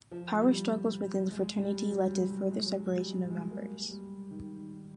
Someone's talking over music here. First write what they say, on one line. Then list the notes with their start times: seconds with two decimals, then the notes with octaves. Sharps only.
Power struggles within the fraternity led to further separation of members.
0.11 F3
0.41 G3
1.31 G#3
1.61 G3
1.91 F#3
2.06 G3
2.30 F#3
2.35 G3
2.51 G#3
2.66 F#3
2.80 F#3
2.96 G3
3.10 G#3
3.30 G#3
3.51 A#3
3.90 G3
4.31 D#3